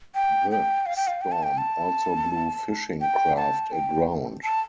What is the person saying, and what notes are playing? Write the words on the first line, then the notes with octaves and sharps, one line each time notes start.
The storm also blew fishing craft aground.
G5
G5
F5
G5
F5
G5
A5
G5
A5
G5
A5
G5
A5